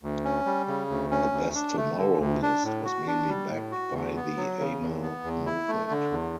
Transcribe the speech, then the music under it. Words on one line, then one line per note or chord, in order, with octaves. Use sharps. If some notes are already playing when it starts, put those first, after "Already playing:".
The "Best Tomorrow" list was mainly backed by the Amal Movement.
D2
C#4
G3
C#3
D2
C#4
D2
D4
A3
D3
D2
D4
A2
F#4
D4
G3
A2
F#4
E2
B3
F#3
C#3
E2
B3
E2
E4
A3
D3
E2